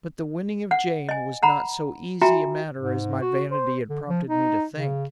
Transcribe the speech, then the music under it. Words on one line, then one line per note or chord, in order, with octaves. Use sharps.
But the winning of Jane was not so easy a matter as my vanity had prompted me to think.
F#5
D#5 G#5
F#5 A#5 B5
F4 F#4 E5 G5 G#5 A#5
G#2
F#4
C5
D3
F3
D#4
C#3